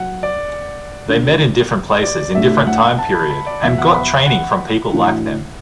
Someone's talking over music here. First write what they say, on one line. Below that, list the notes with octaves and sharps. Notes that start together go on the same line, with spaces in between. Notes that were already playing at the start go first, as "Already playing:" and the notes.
They met in different places in different time period and got training from people like them.
Already playing: F#3 F#5
D5
D2 D3 A3 D4 F#4
D5
A2 A3 D4 F#4 E5
F#5
A5
B5
B5
D5
E2 B2 F#3 B3 F#4 E5
F#5
B5
F#5
A2 E3 D4 F#4